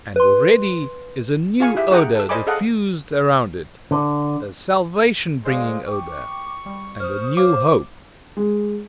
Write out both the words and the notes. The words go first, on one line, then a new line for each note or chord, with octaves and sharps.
And already is a new odour diffused around it, a salvation-bringing odour--and a new hope!
B4 C6
F4 G#4 F5 G#5 C#6
E4 G4 E5
D#4 G#4 F#5 G5 A#5 C#6
A4 E6
C5 D5 D#5 G#5 B5 D6
G#4 A4 D#5 F5 F#5
D3
G#3 C5 D5 F5
G5 C#6 D6
G3
C5 D#6 F6
C#5 F5 D6
G#3